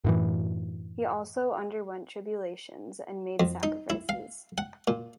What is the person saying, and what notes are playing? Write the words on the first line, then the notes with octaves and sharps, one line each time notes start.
He also underwent tribulations and made sacrifices.
F#2 A2 E3
F2
D#4
E4
F5
F#5
A#2